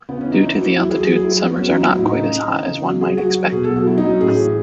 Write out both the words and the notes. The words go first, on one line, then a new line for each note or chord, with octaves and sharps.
Due to the altitude, summers are not quite as hot as one might expect.
C#3 B3
E3 C#4
D#4
E3 E4
F#4
E3 E4
F#3 E4
G#4
F#3
G#4
F#3 G#4
E4
F#3
F#3 B3
C#4
F#3
D#4
F#3 E4
F#4
A2
D#4
C#3
C#3
E3
C#3
F#3
F#3 G#4
F#3 F#4
F#3
B2 G#4
A4
F#3
F#4
F#3 E4
D#4
F#3
C#4
A2 G#4
E3